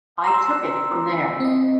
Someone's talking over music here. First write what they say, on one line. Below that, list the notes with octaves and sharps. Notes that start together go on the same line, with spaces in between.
I took it from there.
A#5 C6 E6
C4 D#5